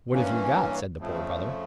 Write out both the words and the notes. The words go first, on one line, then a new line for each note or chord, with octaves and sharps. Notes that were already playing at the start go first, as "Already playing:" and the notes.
"What have you got?" said the Poor Brother.
G2 E3 A#3 C#4
F2 C#3 F3 A3